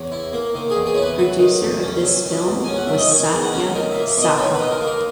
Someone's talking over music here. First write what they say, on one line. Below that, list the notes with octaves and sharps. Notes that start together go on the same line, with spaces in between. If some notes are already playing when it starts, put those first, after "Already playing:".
Producer of this film was Satya Saha.
Already playing: E2 C#5
E4
A#3
D#3
G#4
E2
G#4
E4 C#5
B4
F#3 B4
D#3
E2
C#4
F#3
D#3
E2
C#4 G#5
F#5
F#3 E5
D#5
D#3 C#5
E2
F#5
C#4
D#4 A#4
A#3 E5
E5
B2 D#5
B2 C#5
B4
D#4
A#4
A#3
A#4